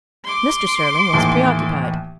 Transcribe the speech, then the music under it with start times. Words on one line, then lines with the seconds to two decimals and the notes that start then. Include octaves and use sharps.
Mr. Sterling was preoccupied.
0.25 C6 D6
1.13 D#2 A2 E3